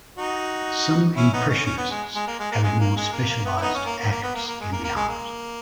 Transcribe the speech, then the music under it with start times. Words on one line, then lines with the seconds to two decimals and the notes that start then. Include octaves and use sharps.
Some impressionists have more specialized acts in the art.
0.18 D#4 F#4
1.16 C#4 E4
1.33 B3 D#4
1.49 C#4
1.65 C#4
1.77 B3
1.90 G#3
2.15 G#3
2.27 A#3
2.39 G#3
2.52 A#3
2.63 G#3
2.80 A#3
2.96 G#3
3.13 A#3
3.29 A#3
3.45 B3
3.57 E4
3.61 B3 D#4
3.75 C#4
3.86 A#3
3.99 A#3
4.11 A#3
4.23 B3
4.35 A#3
4.48 A#3
4.60 G#3
4.72 A#3
4.84 A#3
4.96 G#3
5.08 A#3